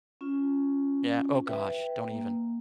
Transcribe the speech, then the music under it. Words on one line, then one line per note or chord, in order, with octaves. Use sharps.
yeah, oh gosh, don't even.
C#4 F4
B4 E5 G5
A#3